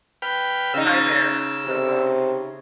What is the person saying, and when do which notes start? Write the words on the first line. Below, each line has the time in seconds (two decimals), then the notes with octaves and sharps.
Hi there. So, um,
0.22 B4 G5 F6
0.74 C#3 D#4 E6
1.66 C3